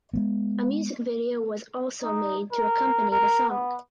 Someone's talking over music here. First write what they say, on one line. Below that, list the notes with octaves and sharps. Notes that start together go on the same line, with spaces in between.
A music video was also made to accompany the song.
G#3 A3 B3
D#4
A#4
A#4
B3